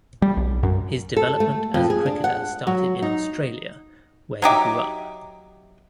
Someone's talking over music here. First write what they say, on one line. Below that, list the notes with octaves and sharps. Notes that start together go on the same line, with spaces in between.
His development as a cricketer started in Australia, where he grew up.
G3
B1
F#2
A4
A3
F2
G#4
D4
F#5
F#3
D#4
F#3 D#4 G4 E5